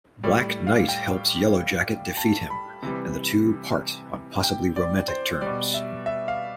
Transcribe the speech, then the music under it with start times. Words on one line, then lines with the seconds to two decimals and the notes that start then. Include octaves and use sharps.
Black Knight helps Yellowjacket defeat him and the two part on possibly romantic terms.
0.23 A2 G3 D5
0.67 F5
0.88 G5
2.17 A5
2.50 B5
2.83 C3 E3 G3
4.44 G5
4.76 D5
5.08 C5
5.41 B2 G3 D5
5.74 E5
6.06 E5
6.28 F5